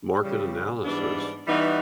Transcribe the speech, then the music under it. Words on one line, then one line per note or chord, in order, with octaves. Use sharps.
market analysis
C#3 E3 G3
G#2 E3 G3 B3 D4
E3 G3 B3 D#4 F#4